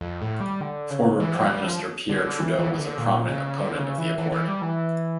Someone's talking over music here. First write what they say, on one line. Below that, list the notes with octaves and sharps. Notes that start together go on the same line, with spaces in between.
Former Prime Minister Pierre Trudeau was a prominent opponent of the Accord.
F2
A2
G3
D3
C#3
E3
F3
G3
F3
D3
E3
E3
E3
D3
A#2
C#3
D3
C#3
E3
E3
E3
G3
E3